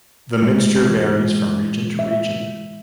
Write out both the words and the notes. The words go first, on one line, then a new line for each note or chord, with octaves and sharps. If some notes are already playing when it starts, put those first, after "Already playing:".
The mixture varies from region to region.
G#3
E3
G#3
E5